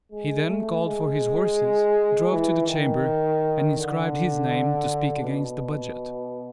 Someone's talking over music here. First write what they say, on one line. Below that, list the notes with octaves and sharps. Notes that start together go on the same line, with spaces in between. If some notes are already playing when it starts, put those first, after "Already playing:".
He then called for his horses, drove to the Chamber, and inscribed his name to speak against the budget.
G#3
A3
G#3
E3
D#3
D3
B2